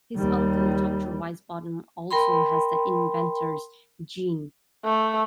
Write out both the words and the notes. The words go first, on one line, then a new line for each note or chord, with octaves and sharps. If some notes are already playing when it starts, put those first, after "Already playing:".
His uncle, Doctor Wisebottom, also has the Inventor's Gene.
D#2 G3
A#4 G5 B5 C6
A3